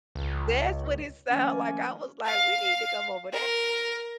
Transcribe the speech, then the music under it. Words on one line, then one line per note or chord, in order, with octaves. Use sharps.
That's what it sound like. I was like, "We need to come over
C#2
D#3 F3 A3 A#3 C#4
F5
A#4